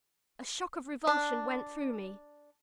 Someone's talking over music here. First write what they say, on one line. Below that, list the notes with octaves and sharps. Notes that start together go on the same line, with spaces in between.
A shock of revulsion went through me.
D4